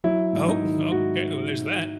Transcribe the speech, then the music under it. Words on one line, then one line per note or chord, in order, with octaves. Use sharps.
Oh, okay, well, there's that.
F#3 E4
G#2
D#4
D#3
G#2 F#4